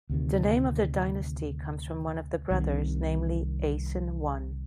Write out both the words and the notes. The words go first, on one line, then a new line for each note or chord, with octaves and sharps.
The name of the dynasty comes from one of the brothers, namely Asen I.
D2 C3 D#3
C2 C3 D#3